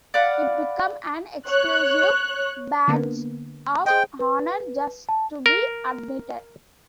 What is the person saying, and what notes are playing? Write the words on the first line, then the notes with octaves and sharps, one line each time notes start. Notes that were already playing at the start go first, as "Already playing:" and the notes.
It became an exclusive badge of honor just to be admitted.
D5 F5 F#5 B5
C#5 F#6
D3 A#3 B3
G#4 C5 D#5 G5
B4
A5
A#4